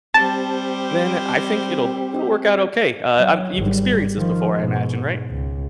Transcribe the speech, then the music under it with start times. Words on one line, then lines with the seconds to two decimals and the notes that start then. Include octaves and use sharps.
then I think it'll it'll work out okay, uh um, you've experienced this before, I imagine, right?
0.14 G3 C4 G4 C5 A5
3.17 F#3
3.56 G#1 G3
4.17 D#3 F3
4.55 G#2 B2
5.30 C#2